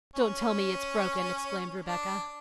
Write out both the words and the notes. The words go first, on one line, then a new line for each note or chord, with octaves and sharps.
"Don't tell me it's broken," exclaimed Rebecca.
C#4
D4